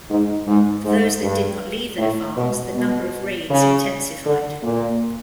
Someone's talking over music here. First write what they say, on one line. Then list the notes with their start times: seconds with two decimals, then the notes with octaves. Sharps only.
For those that did not leave their farms, the number of raids intensified.
0.09 G#2
0.47 G#2
0.85 G#2
1.22 G2
1.98 A2
2.37 B2
2.75 B2
3.50 C#3
4.26 D3
4.63 A#2